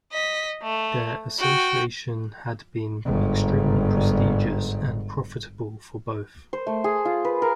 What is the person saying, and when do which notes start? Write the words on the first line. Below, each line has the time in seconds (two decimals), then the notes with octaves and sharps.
Their association had been extremely prestigious and profitable for both.
0.12 D#5 B6
0.63 A3
1.39 F#4 G5
3.06 G1 G#2
6.53 C5
6.67 A3
6.84 G#4
7.05 F4
7.25 B4
7.42 A#4